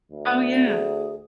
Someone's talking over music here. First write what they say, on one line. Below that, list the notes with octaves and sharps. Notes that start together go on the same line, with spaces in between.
Oh, yeah.
D2
G#4